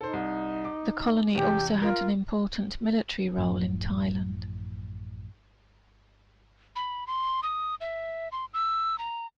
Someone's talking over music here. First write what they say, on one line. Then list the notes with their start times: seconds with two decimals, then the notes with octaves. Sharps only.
The colony also had an important military role in Thailand.
0.01 D#4 A4 C5
0.13 C2
0.65 D6
1.35 E2 C3 G4
1.82 F4 A#4
3.38 A1 F#2 A2 F3
6.76 B5
7.07 C6
7.43 D#6
7.81 E5
8.32 C6
8.54 E6
8.98 A#5